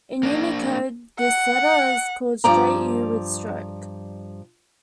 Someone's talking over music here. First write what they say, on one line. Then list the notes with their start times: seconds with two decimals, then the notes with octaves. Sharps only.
In Unicode, this letter is called "Straight U with stroke".
0.23 A#3 D4
1.19 F#5
2.44 G2 F3 D5 A#5